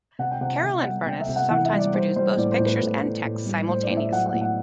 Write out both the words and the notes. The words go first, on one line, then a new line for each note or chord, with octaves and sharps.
Carroll and Furniss sometimes produced both pictures and text simultaneously.
C3 F#5
G5
C3 F#5
C3 E5
G3 F#5
C3 G5
E5
C3
F#5
E3 F#5
E5
G3
D5
G3 C5
G3 C5
A2 D5
C5
A2
B4
A2
A2
A2
G3
A2 C5
D5
A2
E5
F#3 F#5
F#5
A2
F#5